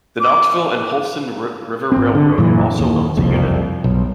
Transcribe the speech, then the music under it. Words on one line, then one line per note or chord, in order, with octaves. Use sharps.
The Knoxville and Holston River Railroad also owns a unit.
D6
G#1 C4
D3
F#2 A#2 E3
D#2
F#1 C2 F2
B1